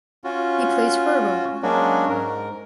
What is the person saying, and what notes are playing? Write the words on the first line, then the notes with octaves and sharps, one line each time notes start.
He plays for Roma.
C#4 F4 F#4
F#3 G#3 A#3 C#4 D4 F#4
G#2 A#4